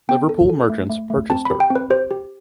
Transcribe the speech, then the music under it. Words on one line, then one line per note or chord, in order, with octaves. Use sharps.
Liverpool merchants purchased her.
B3 G5
A4
A4
A3
A3
A3
C4 A5
G4 B5
G5
C4
B4
G4 C5
G4